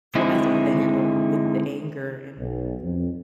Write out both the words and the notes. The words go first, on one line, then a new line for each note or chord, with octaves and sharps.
flies off the handle with the anger. And,
D3 G#3 C4 D#4 E4
B1
F2